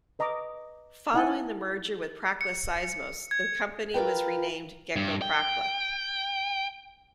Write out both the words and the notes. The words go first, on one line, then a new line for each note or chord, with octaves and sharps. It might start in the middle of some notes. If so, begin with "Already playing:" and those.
Following the merger with Prakla-Seismos the company was renamed Geco-Prakla.
B4 D#5 A#5 C#6 D6
D#4 E4 F#5 G#5 A5
C#7
G#6
F4 A#4 B4 G5
G2
G5